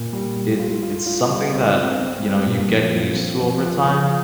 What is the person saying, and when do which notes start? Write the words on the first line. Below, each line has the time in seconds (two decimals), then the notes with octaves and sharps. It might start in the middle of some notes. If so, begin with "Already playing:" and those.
it it's something that, you know, you get used to over time,
Already playing: A#2
0.13 G3
0.37 G3
0.59 F4
0.83 F4
1.06 F4
1.30 G3
1.52 C4
1.76 C4
1.99 C4
2.23 G3
2.46 A#2
2.69 F3
2.92 F4
3.16 C4
3.40 F3
3.63 F4
3.86 F3